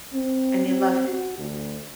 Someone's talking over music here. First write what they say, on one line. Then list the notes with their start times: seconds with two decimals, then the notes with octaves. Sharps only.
And you loved it?
0.14 C4
0.65 C4
1.08 F#4
1.38 D2